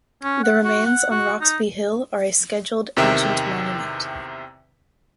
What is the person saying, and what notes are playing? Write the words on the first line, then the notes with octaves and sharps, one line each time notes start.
The remains on Roxby Hill are a Scheduled Ancient Monument.
C#4
F#5
F#4
F#5
F#4
D#4
E2 C3 D#3 E5 G5